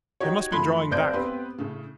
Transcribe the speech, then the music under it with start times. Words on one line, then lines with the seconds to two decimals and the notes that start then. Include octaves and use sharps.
They must be drawing back.
0.21 D#4 F#4 G4 C#5
0.52 F#2 F3 A3 B5 C6 F#6
0.91 F1 B1 C5 D5 G6 D7
1.13 B3 C4 G4 B4
1.58 A2 C#3